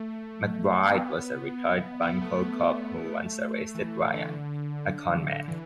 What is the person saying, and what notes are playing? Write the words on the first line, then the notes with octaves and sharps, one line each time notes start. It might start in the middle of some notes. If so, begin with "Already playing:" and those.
MacBride was a retired bunco cop who once arrested Ryan, a con man.
Already playing: A3
B3
B3
A3
B3
A3
E3
D3
E3